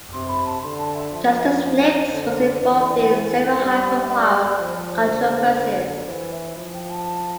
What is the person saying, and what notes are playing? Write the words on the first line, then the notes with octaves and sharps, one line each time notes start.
Justice Nix was involved in several high profile controversies.
C3 C6
B5
A5
D3 C6
A5
E5
F3
C5
D3
E3 C5
D5
C5
C5
B4
C5
G3
E5
D5
F3 C5
D5
C5
D3
E3 C5
E5
F3
G5
A5